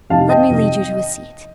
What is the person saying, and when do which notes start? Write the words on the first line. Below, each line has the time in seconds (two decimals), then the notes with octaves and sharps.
Let me lead you to a seat.'
0.10 F2 C3 D#3 F5 A5
0.29 D#5 G5
0.49 F2 C3 D#3